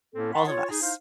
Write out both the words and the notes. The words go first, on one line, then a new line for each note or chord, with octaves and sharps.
all of us?
A2 A#3 C4 C#4 A4
F#5 A5 B5 C6
F4 C#5
D#4 G#4
D#4 E4 C5 F5